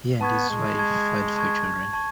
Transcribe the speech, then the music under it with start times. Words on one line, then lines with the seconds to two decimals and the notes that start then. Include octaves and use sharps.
He and his wife had four children.
0.21 B3 A5 C#6 G#6
0.49 G#3
0.78 A5 C#6 G#6
1.36 A5 C#6 G#6
1.93 A5 C#6 G#6